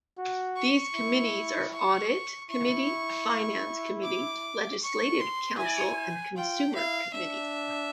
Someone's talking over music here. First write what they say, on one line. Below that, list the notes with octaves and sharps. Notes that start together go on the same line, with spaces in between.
These committees are Audit Committee, Finance Committee, Legislative Council, and Consumer Committee.
F#4
C#6
E4
C#6
E4 C#6
D6
C#6
C6
E4 G#5
F4 G5
E4 F5
D4 E5